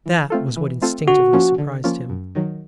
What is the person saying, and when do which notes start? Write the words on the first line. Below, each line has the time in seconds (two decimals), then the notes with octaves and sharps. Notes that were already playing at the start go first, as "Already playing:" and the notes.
That was what instinctively surprised him.
0.06 E3
0.30 A3 C4 F4 A4
0.57 E3
0.82 A3 C4 F4 A4
1.08 D3 F#4
1.33 F3 A#3 C#4 F4
1.58 D3
1.84 F3 A#3 C#4 F4
2.10 F#2
2.35 D#3 F#3